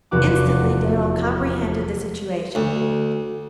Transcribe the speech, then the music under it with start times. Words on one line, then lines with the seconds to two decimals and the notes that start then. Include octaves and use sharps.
Instantly Darrell comprehended the situation.
0.11 F1 E2 F#4 D6
2.55 D2